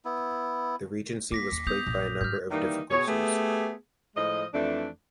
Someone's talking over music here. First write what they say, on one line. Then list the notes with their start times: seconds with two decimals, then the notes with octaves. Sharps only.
The regency was plagued by a number of difficulties.
0.05 B3 E4
1.32 A#3 D6 A#6 B6
1.52 D#2
1.67 B3 D#6 G6 F7
1.87 A#1 D4
2.21 G#2 C#3 F6 G6
2.51 D#3 E3 G3 A#3 D#4
2.91 B2 G#4 C#5
3.07 A3 B3 G4 G#4
4.16 A2 F3 G#3 D#5
4.54 F2 E3 A3 D4